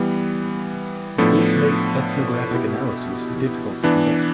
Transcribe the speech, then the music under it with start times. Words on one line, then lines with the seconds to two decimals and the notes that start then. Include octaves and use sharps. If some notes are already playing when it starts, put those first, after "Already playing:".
This makes ethnographic analysis difficult to conduct.
Already playing: E3 G3 B3
1.18 A2 F3 B3 D4 A4
2.51 B2 B3 E4 G4
3.84 E3 B3 D4